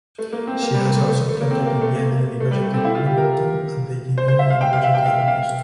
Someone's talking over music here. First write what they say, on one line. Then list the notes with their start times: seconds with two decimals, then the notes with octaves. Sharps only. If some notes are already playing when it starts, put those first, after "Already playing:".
She has also taught at Indiana University Bloomington and the Geneva University of Music.
0.18 A3
0.33 A#3
0.47 C4
0.62 A#3
0.74 G3
0.85 A#3
0.96 A3
1.07 A3
1.28 A3
1.41 A#3
1.51 C4
1.66 A#3
1.81 A3
1.96 A#3
2.40 A3
2.51 G3
2.62 A3
2.74 C4
2.84 E4
2.95 F4
3.06 G4
3.18 A#4
4.18 C5
4.28 C5
4.39 E5
4.50 F5
4.61 G5
4.73 F5
4.84 E5
4.95 G5
5.06 F5
5.28 F5